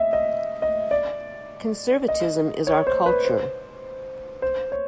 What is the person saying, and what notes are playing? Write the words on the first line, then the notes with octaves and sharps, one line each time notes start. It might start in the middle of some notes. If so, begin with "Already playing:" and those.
Conservatism is our culture.
Already playing: D#5 E5
D#5
D#5
D5
D#5
C#5
C5
B4
C5
C5
C#5